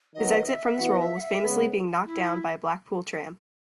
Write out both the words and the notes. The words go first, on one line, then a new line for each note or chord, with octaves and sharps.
His exit from this role was famously being knocked down by a Blackpool tram.
D#3 F#3 B3 D#5
E5
E3 B3 F#4 F#5
D#5
E5
F#5
E5
C#3 G#3 B3
E4